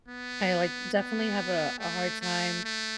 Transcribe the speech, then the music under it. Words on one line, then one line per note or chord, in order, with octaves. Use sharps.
like definitely have a a hard time
B3
B3
A3
A3
A3